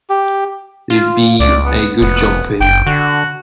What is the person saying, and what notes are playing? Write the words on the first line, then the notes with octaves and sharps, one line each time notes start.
It'll be a good job for him.
G4
F4
C#2 D5
B3
F1 B3
F#1 G5
D3 F#4